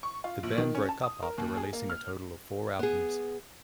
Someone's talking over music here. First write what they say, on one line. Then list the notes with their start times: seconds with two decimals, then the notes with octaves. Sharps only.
The band broke up after releasing a total of four albums.
0.03 C#6
0.24 F4
0.43 A#1
0.58 D#3
0.75 C#4
0.89 A5
1.03 D#6
1.23 A#4
1.38 D#2
1.57 G#4
1.73 A#3
1.90 F6
2.79 B3 G#4